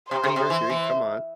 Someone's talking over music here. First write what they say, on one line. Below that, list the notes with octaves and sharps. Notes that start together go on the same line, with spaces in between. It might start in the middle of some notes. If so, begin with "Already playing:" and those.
Freddie Mercury, come on.
C3 C5
C3
C3
E3
E3